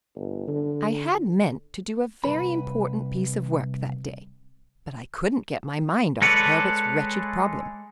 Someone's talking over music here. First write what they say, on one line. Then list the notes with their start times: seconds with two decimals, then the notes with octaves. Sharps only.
I had meant to do a very important piece of work that day, but I couldn't get my mind off Herbert's wretched problem.
0.16 G1
0.48 D3
2.24 C2 C#3 B4 B5
6.22 G#3 A4 B4 C#5 D5